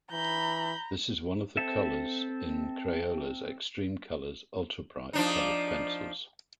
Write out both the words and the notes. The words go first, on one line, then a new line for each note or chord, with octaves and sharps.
This is one of the colors in Crayola's eXtreme colors ultra-bright colored pencils.
E3 A#5 B5 G6
C4 A4 E5
F3 D4 D#4